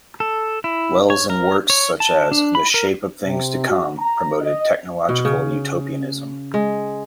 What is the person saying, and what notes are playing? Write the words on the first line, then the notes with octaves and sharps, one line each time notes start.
Wells in works such as "The Shape of Things to Come" promoted technological utopianism.
A4
E4
C#5
A#4
C#5
A5
D4
B5
A#4
C3
F#4
A#5
D#5
B2
C#3
G#3